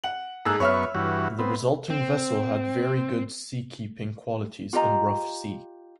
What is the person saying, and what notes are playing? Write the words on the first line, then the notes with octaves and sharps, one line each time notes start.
The resulting vessel had very good seakeeping qualities in rough sea.
F#5 F#7
G#2 A#3 G#4 A4 E6 F#6
F#2 B3 C#5 E5 C#6 F6
G2 E3 F#4
B3 C4
C4
F4 G4 D#5 A#5